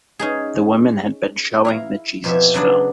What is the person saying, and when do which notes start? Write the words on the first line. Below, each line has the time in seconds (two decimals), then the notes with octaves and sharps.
The women had been showing the Jesus film.
0.19 C#4 D#4 G#4
1.65 E4 F5 A#5
2.24 F2 B2 F3 G4 C#5 E5
2.54 C#3 F#3 B3 D4